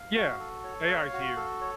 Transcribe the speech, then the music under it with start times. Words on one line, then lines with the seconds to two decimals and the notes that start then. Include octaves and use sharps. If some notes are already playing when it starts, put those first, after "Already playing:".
Yeah, AIs here.
Already playing: F5
0.16 F#4
0.40 A4
0.64 C#5
0.88 F5
1.13 F#4
1.36 A4
1.61 C#5